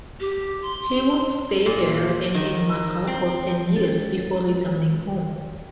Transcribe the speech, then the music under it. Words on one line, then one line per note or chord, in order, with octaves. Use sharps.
He would stay there and in Macau for ten years before returning home.
G4
C6
A#2
D#3
C4
G#3 C#4 A6